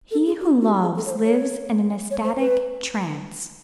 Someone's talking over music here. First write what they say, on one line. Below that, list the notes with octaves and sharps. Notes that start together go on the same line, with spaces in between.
He who loves lives in an ecstatic trance.
A4
G#4
F#4
F#4
G4
G#4
A4
C#5
C5
C#5
C#5
C5
B4